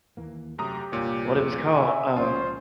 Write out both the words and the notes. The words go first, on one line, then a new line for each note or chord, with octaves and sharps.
what it was called. Uh,
D#2 E3 A#3
F#2 C3 A3 G4 A#5 D#6
G1 C2 G2 A#2 C#5
C2 F2 A3
C3 E5 G#5
C#2 E3 F3 C#4 F4 C5